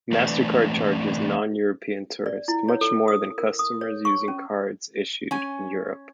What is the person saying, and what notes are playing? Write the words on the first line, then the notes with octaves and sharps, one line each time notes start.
MasterCard charges non-European tourists much more than customers using cards issued in Europe.
E3 A3 C4 D4 B4 D5
D5
E4
C#5
A4
D#6
A#4
D#6
C#5
C#6
C#4
C#4 G#5